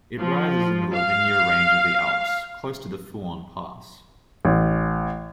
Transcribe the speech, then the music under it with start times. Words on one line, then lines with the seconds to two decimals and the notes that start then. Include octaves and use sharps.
It rises in the Livigno Range of the Alps, close to the Fuorn Pass.
0.19 F3
0.92 F5
4.45 A1